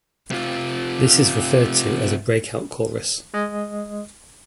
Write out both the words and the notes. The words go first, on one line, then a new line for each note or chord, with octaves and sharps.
This is referred to as a breakout chorus.
C3 F4
G#3 D#5